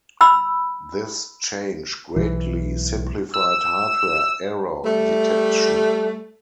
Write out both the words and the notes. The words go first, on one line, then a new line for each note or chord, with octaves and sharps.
This change greatly simplified hardware error detection.
B5 E6
B1 E3
E6
G3 A3